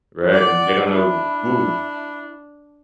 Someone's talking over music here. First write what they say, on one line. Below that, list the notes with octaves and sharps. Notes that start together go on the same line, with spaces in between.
Right. And they don't know who
D5 F#5
D4 E4